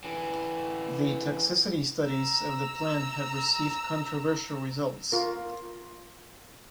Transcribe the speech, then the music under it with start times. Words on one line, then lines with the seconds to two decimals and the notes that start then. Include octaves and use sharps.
The toxicity studies of the plant have received controversial results.
0.04 D3 E3
2.03 A#5 E6
5.12 F4 A#4